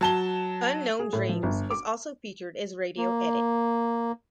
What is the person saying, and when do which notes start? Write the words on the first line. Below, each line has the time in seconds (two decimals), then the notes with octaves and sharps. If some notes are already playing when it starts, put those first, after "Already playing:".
"Unknown Dreams" is also featured as radio edit.
0.01 F#3 A5 G7
0.99 G#4
1.13 A2
1.29 F3
1.43 G1
1.70 D6
2.98 A#3